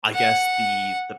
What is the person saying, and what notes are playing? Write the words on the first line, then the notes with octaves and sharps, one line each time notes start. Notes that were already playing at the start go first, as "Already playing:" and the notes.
I guess, the the
F#5